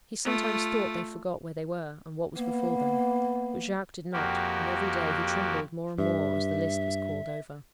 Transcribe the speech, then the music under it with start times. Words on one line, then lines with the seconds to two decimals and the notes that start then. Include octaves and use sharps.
He sometimes thought they forgot where they were, and what was before them. But Jacques did not, and every day he trembled more and more as the list was called over.
0.24 A3 F4
2.36 A#3 B3
4.13 F2 A#3 F#4 G4
5.98 G2 E5